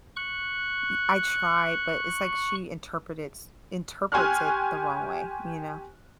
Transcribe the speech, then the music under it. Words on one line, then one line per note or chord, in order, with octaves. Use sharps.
Eh, I try, but it's like she interpret it's interprets it the wrong way, you know?
C#6 F#6
G4 G#5 C6 C#6 F6 F#6